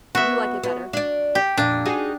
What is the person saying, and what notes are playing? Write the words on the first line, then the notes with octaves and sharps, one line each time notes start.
You like it better?
B3 F#4 E5
B3
D4 D5
G4
F2 A#2 D4
D#4 F#4 G#4